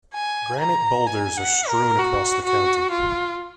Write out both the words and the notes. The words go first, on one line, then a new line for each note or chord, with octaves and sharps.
Granite boulders are strewn across the county.
G#5
A#5
G#5
F#5
A#4
F#4
F#4
F4